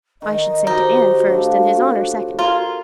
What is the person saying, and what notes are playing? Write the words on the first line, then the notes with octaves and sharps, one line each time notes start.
I should say to Ann first and His Honor second.
D#3 D#5
D#4 F#4 G4 C5
A2 D4 F4
F4 A#4 G#5 C6